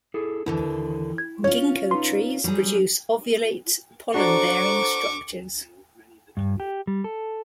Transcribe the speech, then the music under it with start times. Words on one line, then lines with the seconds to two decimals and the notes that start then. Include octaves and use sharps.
"Ginkgo" trees produce ovulate, pollen-bearing structures.
0.14 E4 G#4 A4
0.46 D#2 D3 E3 E4
1.18 G#6
1.44 C#4 F4 C#5
1.91 D#4 B4 C6
2.44 F#3 G3 G#4
4.14 D4 F#4 A4 C5 A#5 C#6 D6
6.37 G2
6.60 G4
6.87 G3
7.04 A4